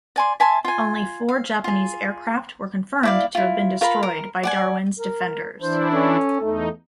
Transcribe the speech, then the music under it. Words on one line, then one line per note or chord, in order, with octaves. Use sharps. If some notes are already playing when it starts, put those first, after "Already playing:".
Only four Japanese aircraft were confirmed to have been destroyed by Darwin's defenders.
D5 G#5 C6
E5 G#5 A5 C6
F4 G#5
F5
F4 G#4
E4 D5 F5
E4 F4
F4 A#4 F5 B5
A#4
D5 F#5 G#5
A#4
E3 D4 E4 C5
C#4 A4
E2 A3 D#4